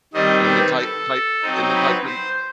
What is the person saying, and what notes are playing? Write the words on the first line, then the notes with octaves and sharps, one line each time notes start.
and then type type and then type in
D#3 G3 C4 D#5
B4
A4
F#3 C4 D#4
B4
C5